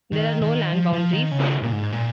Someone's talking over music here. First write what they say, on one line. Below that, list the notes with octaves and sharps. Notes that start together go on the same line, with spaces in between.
There are no land boundaries.
D#3
D#3
F3
F3
D#3
C#3
A#2
G#2
A#2